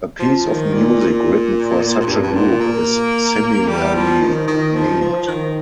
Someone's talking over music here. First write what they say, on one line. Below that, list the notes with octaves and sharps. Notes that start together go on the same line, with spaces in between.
A piece of music written for such a group is similarly named.
F3
D#3
A#2
A#2
A#2
G2
G2
A#2
A#3
G3
F3
D#3
D#3
F3
F3
D#3